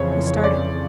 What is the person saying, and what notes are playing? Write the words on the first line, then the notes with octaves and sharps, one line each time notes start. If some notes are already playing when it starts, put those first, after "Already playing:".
He started.
Already playing: F2 C#3 E3 C5 C#5
C#5
C#5
C#5
D5